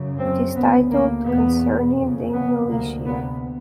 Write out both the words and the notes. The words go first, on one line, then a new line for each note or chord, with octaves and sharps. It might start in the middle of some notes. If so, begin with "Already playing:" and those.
It is titled Concerning the Militia.
Already playing: F#2 C#3
C4
D2 C#3 B3
A#3
E2 B2 B3
F2 C#3
B3
D2 C3 A#3
B3